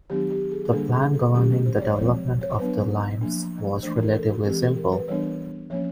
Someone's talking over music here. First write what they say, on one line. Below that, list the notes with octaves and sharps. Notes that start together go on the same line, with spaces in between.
The plan governing the development of the limes was relatively simple.
D#3 F#3 B3 D4 G4
G4
G#4
G#4
D3 G3 A#3 D4 A4
G#4
A4
D#3 F#3 A3 C#4 G4
F#4
C5
D5
C#5
F3 G#3 C4 C5
C#5
C5
F#3 B3 D4 B4
F3 A#3 D4
E3 A3 D4 C5
A#4
A4
F#4
E3 G#3 C4 G4
A4
A#4
B4
E3 G3 B3 D4 C#5
F3 A#3 C#4 C#5